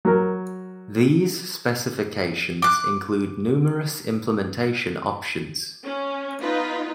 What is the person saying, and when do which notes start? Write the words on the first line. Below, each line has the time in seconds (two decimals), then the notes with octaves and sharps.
These specifications include numerous implementation options.
0.05 F#3 A#4
2.62 D6 F#6
5.84 C#4
6.41 B3 D#4 F4 B4